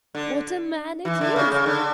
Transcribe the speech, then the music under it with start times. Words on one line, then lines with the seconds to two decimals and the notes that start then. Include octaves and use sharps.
What a man it is!
0.15 D3
1.05 E3
1.21 D3
1.36 C#3
1.52 C#3
1.66 D3